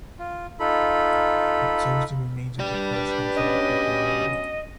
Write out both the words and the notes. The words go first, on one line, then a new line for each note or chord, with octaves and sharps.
It shows the remains of the first homes of the people in Europe.
F4
D#4 F4 A4 B5
D4 G4 B4 D5
B2 C#4 D#5